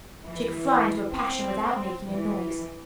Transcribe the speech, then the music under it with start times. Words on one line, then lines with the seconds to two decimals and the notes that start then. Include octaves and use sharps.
She could fly into a passion without making a noise.
0.24 E3
1.10 C4
2.06 E3